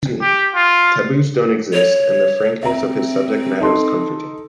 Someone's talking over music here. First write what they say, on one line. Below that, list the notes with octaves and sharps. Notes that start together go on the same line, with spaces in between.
Taboos don't exist, and the frankness of his subject matter is comforting.
G4
F4
C#5
C4 E5 A#5
D#4 A4 C6